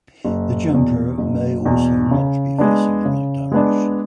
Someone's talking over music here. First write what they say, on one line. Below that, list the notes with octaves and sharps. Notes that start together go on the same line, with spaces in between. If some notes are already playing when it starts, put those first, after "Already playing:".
The jumper may also not be facing the right direction.
F#1
E2 B2
F#1
E2 B2
C#3
G#3 B3 D4
C#3
G#3 B3 D4